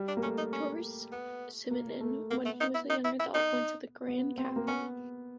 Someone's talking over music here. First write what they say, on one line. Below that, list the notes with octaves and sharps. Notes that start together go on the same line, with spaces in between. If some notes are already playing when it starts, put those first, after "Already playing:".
Georges Simenon, when he was a young adult, went to the Grand café.
Already playing: G3
D4
A#3
A3 C#4
D#4
C#4
B3
A#3
A3
A#3 B3
A3
D#4
E4
D#4
E4
E4
D#4
B3
C4
A#3
B3 C#4